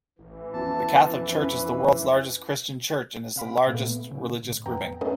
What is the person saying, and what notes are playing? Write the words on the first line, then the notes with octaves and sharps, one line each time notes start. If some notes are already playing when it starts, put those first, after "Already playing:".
The Catholic Church is the world's largest Christian Church, and its largest religious grouping.
A1 E3
F2 B3 C#4 F#4 A5
C#4 D4 B4 C5
C3 F5 B5 D7
A#2 A3 B3
C#3
A2
F2 B3 G5 A#5
A3 B3 C#4 A4 A#4 D#5